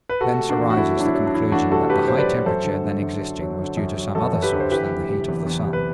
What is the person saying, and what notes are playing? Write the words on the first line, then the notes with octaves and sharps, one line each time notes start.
Thence arises the conclusion that the high temperature then existing was due to some other source than the heat of the sun.
B4
C3 F#4 A4
A3
D4 F#4
E2
F#4
A3 E4
F#3 D4
E4
F#3
D4
E2 E4
A3 D4 F#4
C3 F#4 A4
A3 G4 B4
F#3 C5
B4 D5
F#3
F#2 A4 C5
D3
D3
F#2
F#3
F#3
D3
F#2
F#3
F#2 F#4 A4
F#2
G4 B4
D3
C5
E3 G4 B4
F#1
C3
E2
E2
C3
B4